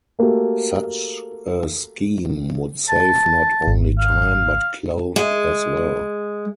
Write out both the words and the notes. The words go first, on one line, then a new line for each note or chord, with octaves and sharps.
Such a scheme would save not only time but cloth as well.
A3 A#3 F#4 G4 A4
A5
G#1
F5
G#3